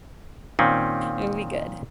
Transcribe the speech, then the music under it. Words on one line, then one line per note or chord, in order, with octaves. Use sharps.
It'll be good,
A#2 D#3 C4 C#4